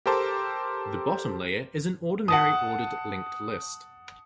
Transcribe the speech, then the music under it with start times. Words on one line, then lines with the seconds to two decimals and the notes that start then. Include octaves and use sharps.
The bottom layer is an ordinary ordered linked list.
0.06 G4 A4 A#4 C5 A5 D6
2.28 F#5 A5 D#6